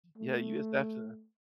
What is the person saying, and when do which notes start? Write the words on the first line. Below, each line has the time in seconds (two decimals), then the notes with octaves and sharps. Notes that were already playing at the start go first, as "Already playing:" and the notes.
Yeah, you just have to
0.18 A3